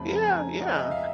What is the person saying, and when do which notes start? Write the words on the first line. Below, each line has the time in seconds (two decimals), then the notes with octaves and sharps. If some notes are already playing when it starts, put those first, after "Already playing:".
Yeah, yeah.
Already playing: F2 C#3 F3 A3 B5
0.09 A#5
0.26 G#5
0.61 D#5
0.71 D#5
0.78 E5
0.91 F5
0.97 E5